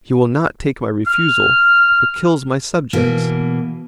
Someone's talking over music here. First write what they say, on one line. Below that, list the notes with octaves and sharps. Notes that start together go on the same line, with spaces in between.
He will not take my refusal, but kills my subjects.
F6
B2 E3 A#3